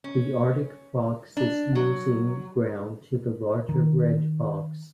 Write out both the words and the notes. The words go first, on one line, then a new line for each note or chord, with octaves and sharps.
The Arctic fox is losing ground to the larger red fox.
C#4
D4
F#3
D#3